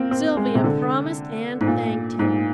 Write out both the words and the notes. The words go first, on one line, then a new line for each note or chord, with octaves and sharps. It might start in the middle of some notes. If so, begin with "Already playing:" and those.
Sylvia promised and thanked him.
Already playing: A#3 C4
C4
G#3
C3
D3
G#2
A#2
G#2